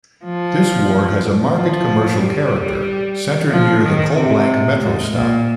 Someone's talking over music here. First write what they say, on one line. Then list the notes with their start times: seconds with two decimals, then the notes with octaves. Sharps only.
This ward has a marked commercial character, centred near the Collblanc Metro stop.
0.24 F3
1.55 F3
2.19 G3
3.50 F3
3.82 D#3
4.15 C3
4.80 G#2
5.13 A#2